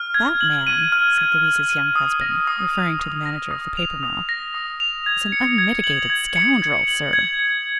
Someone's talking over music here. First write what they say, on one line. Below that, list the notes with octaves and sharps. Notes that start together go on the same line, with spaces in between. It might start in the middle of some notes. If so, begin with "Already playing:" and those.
"That man," said Louise's young husband, referring to the manager of the paper mill, "is an unmitigated scoundrel, sir."
Already playing: F6
G#6
F#7
D#7
F6
G#6
F#7
D#7
D#6
A#6
D#6
F7
D#6
A#6
D#6
F7
D#6
A#6
D#6
F7
G#6
C#7
G#6
F#7
G#6
C#7
G#6
F#7
G#6
C#7